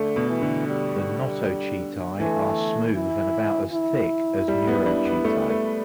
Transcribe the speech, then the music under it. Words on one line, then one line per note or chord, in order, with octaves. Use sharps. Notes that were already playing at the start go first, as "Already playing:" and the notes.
The notochaetae are smooth and about as thick as neurochaetae.
Already playing: D3 A3
B2
E3
D3
G3
E3 A3
E4
E4
G3
B3
D4
B3
A3
A3